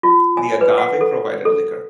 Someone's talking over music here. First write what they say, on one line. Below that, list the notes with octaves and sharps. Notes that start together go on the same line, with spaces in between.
The agave provided liquor.
F4
G#5
B4
F#5
A4
A4